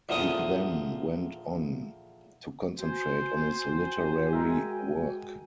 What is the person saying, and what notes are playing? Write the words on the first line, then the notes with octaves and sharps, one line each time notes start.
He then went on to concentrate on his literary work.
E2 A#2 D3 F3 D#6
F#4 C5 G5 G#5
G#3 A#4 E5